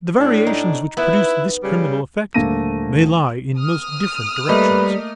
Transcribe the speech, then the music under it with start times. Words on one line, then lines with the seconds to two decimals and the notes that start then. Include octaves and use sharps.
The variations which produce this criminal effect may lie in most different directions.
0.19 A2 D4
0.46 D#4
0.97 B3 E4 B4 E5
1.63 C#3 G3
2.34 D#1 D3 A3 A#3 A#6 D#7
3.58 D#6 F6
4.49 G3 A3 A#3 B4 D#5